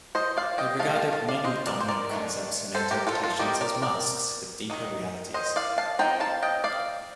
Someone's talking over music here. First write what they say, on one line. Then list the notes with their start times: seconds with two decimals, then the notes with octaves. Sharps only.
They regarded many dominant concepts and interpretations as masks for deeper realities.
0.15 C5 D#5
0.37 D5 F5
0.58 D#5 G5
0.79 A3 D#4 F5 A5
0.90 G5
0.96 F5 A5
1.13 F5 A5
1.28 D5 F5
1.44 C5 D#5
1.66 A#4 D5
1.80 C5
1.88 A#4 D5
2.10 D#3 A3 D4
2.75 A4 C5
2.91 G4 A#4
3.07 F4 A4
3.23 F4 A4
3.39 G3 C4 D#4 G4 A#4
3.61 A#4 D5
3.82 A#4 D5
4.70 D#3 A#3 D#4
5.34 C5 D#5
5.56 D5 F5
5.78 F5 A5
5.99 F3 C4 D#4 G5 A#5
6.20 F5 A5
6.42 D#5 G5
6.64 D5 F5